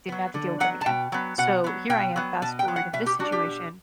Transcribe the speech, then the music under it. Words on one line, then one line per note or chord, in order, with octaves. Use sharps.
didn't have to deal with him again. So here I am fast forward in this situation.
F#3 B3
D3
F#3 B3 F#5
A5
B2 G5
F#3 B3
B2 F#5
F#3 B3
B2 G5
F#3 B3
B2 A5
G5
F#3 B3
F#5
B2 E5
G4
G3 D4 F#4
G4
B2